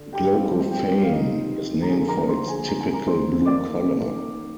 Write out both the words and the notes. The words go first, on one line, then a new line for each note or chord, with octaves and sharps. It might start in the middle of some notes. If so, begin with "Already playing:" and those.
Glaucophane is named for its typical blue color.
Already playing: D3
G4 G5
G3 C4 F4
G4 G5
F5
D#4 D#5
A#5
D3 F3 A#3 F4 G#4 G#5
A#4 A#5
C5 C6
G#4 G#5
A#5
G#5
A#4 A#5
C5 C6
D#3 A#3 D#4 D5 D6